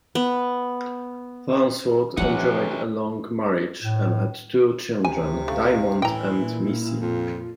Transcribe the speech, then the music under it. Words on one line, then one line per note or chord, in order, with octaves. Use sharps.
Farnsworth enjoyed a long marriage and had two children, Diamond and Missy.
B3
C3 E3 F3 A3 D#4 C#5 F#5
A2
D2 C3 G#5
A3 F5
A2 E3 E4 G5 A#5
A#2
F2 F4